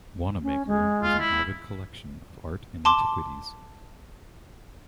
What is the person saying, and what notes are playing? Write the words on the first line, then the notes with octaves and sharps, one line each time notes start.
Wanamaker was an avid collection of art and antiquities.
C#4
G#3
F4
E4
A5 C6 D6